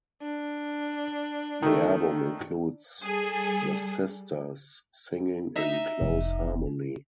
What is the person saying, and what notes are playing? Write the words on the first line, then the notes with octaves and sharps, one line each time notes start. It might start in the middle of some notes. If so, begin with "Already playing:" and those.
The album includes the sisters singing in close harmony.
D4
D#3 A3
G3 G#4 A4
D#4 E5
F1